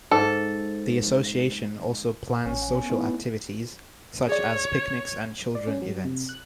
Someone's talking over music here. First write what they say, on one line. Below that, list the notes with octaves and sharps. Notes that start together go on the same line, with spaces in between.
The Association also plans social activities, such as picnics and children events.
G#2 A4
A#2
A1 C#4
F#5
B3
A3 D#4 E4
G#4 C#5 D5
D5
C#4
F#3
C3
F#6